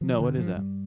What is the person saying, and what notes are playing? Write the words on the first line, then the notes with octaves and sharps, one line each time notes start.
No, what is that?
D3 F3
D3
G2
F3
G2
G3